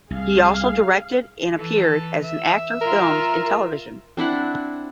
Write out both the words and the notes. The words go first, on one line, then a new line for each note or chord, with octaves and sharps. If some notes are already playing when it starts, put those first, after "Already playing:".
He also directed and appeared as an actor films and television.
C2 G#4 F5
E3 A4
E5
F4 A#4
C4 D4 E4 F#5